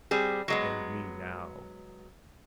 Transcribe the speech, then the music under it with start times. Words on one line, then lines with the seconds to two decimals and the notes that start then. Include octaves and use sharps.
And me now.
0.11 G3 C4 G#4
0.48 F#3 G#3 B3